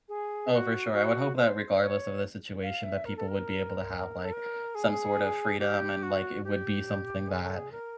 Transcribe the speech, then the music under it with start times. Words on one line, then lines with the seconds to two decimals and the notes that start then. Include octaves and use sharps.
Oh, for sure. I would hope that regardless of the situation, that people would be able to have, like, some sort of freedom and, like, it would be something that
0.08 G#4
0.50 F#4
0.93 F#4
1.35 C5
1.78 C#5
2.62 F5
2.83 E5
3.05 A#4
3.16 A4
3.28 A#4
4.24 A4
4.32 A#4
4.75 G#4
5.59 G4
6.02 F#4
6.44 G4
7.29 G#4
7.42 A4
7.56 G#4
7.71 A#4